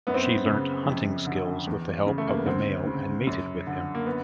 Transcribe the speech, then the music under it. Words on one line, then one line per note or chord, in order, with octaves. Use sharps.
She learnt hunting skills with the help of the male and mated with him.
F#2 B3
C4
B3
C#3
F2
D3
E2
C#3
A3
A#3
B3
D2 C4
C#3
F#2
D3
A#3
B3